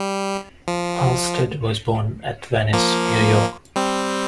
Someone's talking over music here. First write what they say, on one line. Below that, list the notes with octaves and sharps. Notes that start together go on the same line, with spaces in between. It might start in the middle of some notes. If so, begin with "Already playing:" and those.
Halsted was born at Venice, New York.
Already playing: G3
F3
F3 A#3
G3 C4